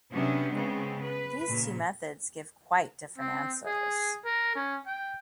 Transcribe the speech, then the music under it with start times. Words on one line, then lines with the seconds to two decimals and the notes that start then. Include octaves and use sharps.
These two methods give quite different answers.
0.12 C3 F#3 B3 C#4 D4
0.53 C#3 G#3 B3 C4
1.03 B4
1.47 A#2 C#3
3.18 C4
3.66 G#4
4.25 A#4
4.55 C#4
4.86 G5